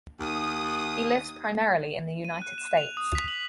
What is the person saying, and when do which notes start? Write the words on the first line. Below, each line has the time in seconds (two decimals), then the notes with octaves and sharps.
He lives primarily in the United States.
0.20 D#2 D#6
2.25 D#7
2.42 F#6
2.58 E7
2.77 F7
2.97 D#6
3.15 B6
3.28 F#7